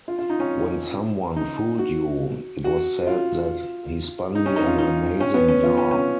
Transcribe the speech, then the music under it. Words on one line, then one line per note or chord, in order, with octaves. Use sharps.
When someone fooled you, it was said that "he spun me an amazing yarn".
F4
F4
D#4
C#4
D#4
F#4
F#4
F4
D#4
C#4
D#4
F4
D#4
C#4
B3
C#4
F4
C#4
C#4